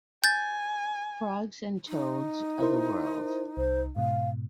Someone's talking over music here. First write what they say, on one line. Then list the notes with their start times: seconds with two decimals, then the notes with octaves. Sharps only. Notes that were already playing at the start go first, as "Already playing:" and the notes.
Frogs and Toads of the World.
0.24 G#5 G6 A6
1.88 D#4
2.60 E4 A#4 C5
3.57 C2 C5
3.96 G#2 B2 F5